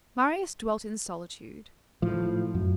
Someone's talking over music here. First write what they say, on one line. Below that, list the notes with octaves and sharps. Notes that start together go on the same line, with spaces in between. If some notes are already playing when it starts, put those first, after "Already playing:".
Marius dwelt in solitude.
A2 F3
F#2